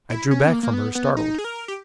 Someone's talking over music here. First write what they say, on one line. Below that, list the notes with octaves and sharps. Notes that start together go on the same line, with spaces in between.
I drew back from her, startled.
E4
C#4
B3
A#3
A#3
B3
B3
D#4
G#4
A#4
G4